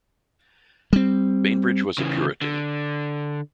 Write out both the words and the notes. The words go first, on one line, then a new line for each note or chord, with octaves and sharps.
Bainbridge was a puritan.
G3 C4
C#3 E3
D3